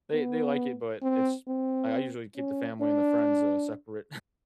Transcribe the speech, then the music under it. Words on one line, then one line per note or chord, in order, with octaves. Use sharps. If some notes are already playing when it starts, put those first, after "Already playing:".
they they like it, but it's I I usually keep the family and the friends, uh, separate
B3
C4
C4
C#4
D4